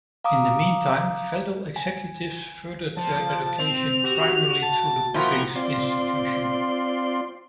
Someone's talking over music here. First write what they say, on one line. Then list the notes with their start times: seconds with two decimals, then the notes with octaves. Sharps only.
In the meantime, federal executives furthered their education primarily through the Brookings Institution.
0.24 F5 A#5 D6 D#6
1.76 G#5
2.97 F3 A5
3.59 C4 F7
4.04 F#4 G4
4.63 A5
5.14 B2 F3 A#3 E4 G5 A#5 C#6
5.55 C4 F4 D5 C6